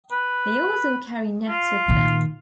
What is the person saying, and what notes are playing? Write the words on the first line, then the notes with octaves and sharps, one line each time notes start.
They also carry nets with them.
B4
F4
A#2 D#3